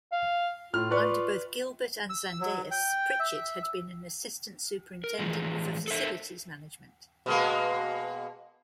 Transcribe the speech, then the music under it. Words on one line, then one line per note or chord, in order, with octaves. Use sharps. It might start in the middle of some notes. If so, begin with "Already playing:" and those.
Under both Gilbert and Zendejas, Pritchett had been an assistant superintendent for facilities management.
F5
A2 F4 F6
B4 D5 C#6
E6
F#3
G5
E5
A#4
E3 F3 G#3 A3
A4 A#4 C5 E5
B2 G#3 A#3